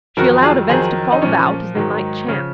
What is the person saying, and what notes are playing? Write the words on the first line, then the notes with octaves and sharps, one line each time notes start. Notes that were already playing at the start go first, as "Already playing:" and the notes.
She allowed events to fall about as they might chance.
F2 D#3 F#3 F#4 A#4
F4 G#4
F2 D#3 F#3 G#4 C5
D#4
A#2 F3 C#4
G#2 D#3 F#3
C#3 F3 C#4